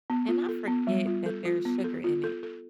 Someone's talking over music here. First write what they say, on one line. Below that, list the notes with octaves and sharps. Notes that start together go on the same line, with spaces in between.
and I forget that there's sugar in it
B3
F4
A4
B3
G3
F4
A4
F4
B3
A4
F4
A4
A4